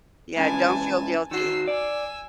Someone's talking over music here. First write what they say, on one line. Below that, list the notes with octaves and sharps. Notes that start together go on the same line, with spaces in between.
Yeah, don't feel guilty.
G#2 C#3 E3 G#5 A5
D#3 F#4 E6 C7
D5 G#5 E6